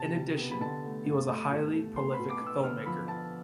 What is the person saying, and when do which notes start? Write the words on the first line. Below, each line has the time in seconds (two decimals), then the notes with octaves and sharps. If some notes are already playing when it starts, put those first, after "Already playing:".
In addition, he was a highly prolific filmmaker.
Already playing: C3 A5
0.16 G3
0.38 B3
0.51 B5
0.61 D3 A5
0.84 A3
1.06 G2
1.29 A3
1.51 B2
1.74 A3
1.96 B3 C6
2.14 B5
2.19 B2
2.30 D6
2.42 B3 E6
2.63 D3 F6
2.86 F3 B5
3.08 B3 A5